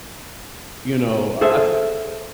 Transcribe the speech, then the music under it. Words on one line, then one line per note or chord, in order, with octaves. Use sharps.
you know, I I took
G#4 A4 C5 E5